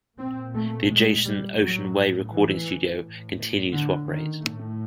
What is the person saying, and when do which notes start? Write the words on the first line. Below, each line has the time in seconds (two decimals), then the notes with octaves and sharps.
The adjacent Ocean Way Recording studio continues to operate.
0.19 A#2 C4
0.55 A3
0.90 G#3
1.24 G3
1.59 A2 F#3
2.31 E3
3.00 A2
3.71 D3
4.06 D#3
4.41 A2 A3